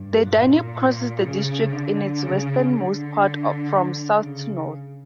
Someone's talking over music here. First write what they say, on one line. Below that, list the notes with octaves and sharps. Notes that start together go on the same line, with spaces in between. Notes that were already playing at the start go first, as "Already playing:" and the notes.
The Danube crosses the district in its westernmost part from south to north.
Already playing: G2
A#2
C#3
D3
C#3
D3
C#3